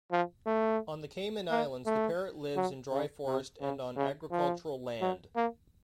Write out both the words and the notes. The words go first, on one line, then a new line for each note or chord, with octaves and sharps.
On the Cayman Islands the parrot lives in dry forest and on agricultural land.
F3
A3
A#3
A3
F#3
C#3
C3
C#3
C#3
F3
F#3
A#3